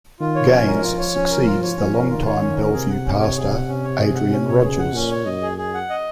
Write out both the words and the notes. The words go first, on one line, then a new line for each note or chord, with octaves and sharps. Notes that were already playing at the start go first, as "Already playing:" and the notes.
Gaines succeeds the longtime Bellevue pastor Adrian Rogers.
D#3 F4
C#5
F3 C#4
A#4
F4
C#5
C#4
A#4
F4
C#5
C#4
A#4
D#3 F4
C#5
C#4
A#4
C3 G#4
F#5
C#4
C#5
G#4
F#5
C#4
C#5
G#4
F#5
C#4
C#5
C#3 G#4
F#5
A#2 C#4
C#5
F#2 D#5
G#4
G#4
F#5
D#5